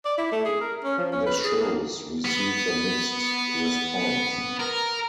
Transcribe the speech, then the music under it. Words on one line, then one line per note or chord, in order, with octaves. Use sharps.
The shows received a mixed response.
D5
E4
A3
G#4
A#4
C#4
F3
C#4
B4
G#4
A#3
B3
A#4